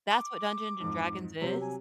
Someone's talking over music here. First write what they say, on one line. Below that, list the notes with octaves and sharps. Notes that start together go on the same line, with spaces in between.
That's what Dungeons& Dragons is?
D6
F2 G#2
C3 F#3 G3 C5
G#5